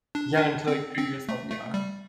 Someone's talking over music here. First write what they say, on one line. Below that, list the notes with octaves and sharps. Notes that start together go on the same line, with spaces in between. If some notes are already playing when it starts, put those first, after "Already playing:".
Yeah, until, like, treat yourself, yeah.
D4
D4
C4
C4
A3
A3
G3